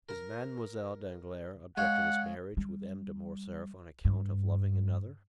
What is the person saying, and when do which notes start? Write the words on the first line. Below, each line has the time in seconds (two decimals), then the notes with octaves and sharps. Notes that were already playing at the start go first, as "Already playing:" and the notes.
"Does Mademoiselle Danglars object to this marriage with M. de Morcerf on account of loving another?"
0.09 A#4 A#5
1.77 G#3 C#5 F5 F#5
2.57 G3
4.05 G2